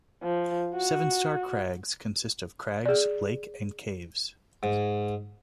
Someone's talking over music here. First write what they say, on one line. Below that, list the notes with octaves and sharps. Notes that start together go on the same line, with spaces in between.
Seven Star Crags consist of crags, lake and caves.
F3
F#4
G#4 D5
G#2